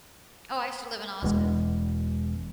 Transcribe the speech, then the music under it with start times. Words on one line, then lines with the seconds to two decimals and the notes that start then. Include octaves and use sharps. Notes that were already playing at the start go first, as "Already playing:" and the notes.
Oh, I used to live in Austin.
1.22 E1 E2 G#3